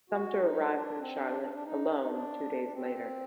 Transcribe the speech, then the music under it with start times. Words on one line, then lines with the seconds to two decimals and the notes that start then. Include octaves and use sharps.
Sumter arrived in Charlotte, alone, two days later.
0.10 F#4
0.40 D#4
0.69 D4
0.98 C4
1.20 D4
1.42 D4
1.53 D4
1.63 D#4
1.85 D4
1.97 D#4
2.08 D4
2.64 D4
2.72 C4